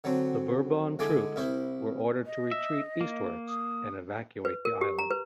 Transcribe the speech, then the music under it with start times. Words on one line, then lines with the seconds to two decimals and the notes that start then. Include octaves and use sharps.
The Bourbon troops were ordered to retreat eastwards and evacuate the island.
0.04 D3 F#3 C4
0.99 D3 G#3 E4 G#5 D6
1.36 C2 E4 C5
2.26 D#5
2.51 E5
3.01 A#3
3.48 D#6
4.45 B4
4.65 A#4
4.81 G4
4.99 A#5
5.11 B4